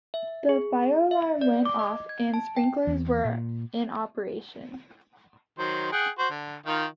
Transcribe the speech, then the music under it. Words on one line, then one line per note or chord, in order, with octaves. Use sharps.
The fire alarm went off and sprinklers were in operation.
E5
G#4
E5
D5
D6
D#5
G#6
A5
G5
E2
A#2
D#3 F#3 C5
G#4 F#5 G5
F#4 C5
D3
D#3 D#4 F4